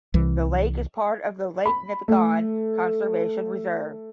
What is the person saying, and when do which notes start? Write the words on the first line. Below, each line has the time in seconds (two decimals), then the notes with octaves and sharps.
The lake is part of the Lake Nipigon Conservation Reserve.
0.14 C2 E3
1.66 B5
2.08 A3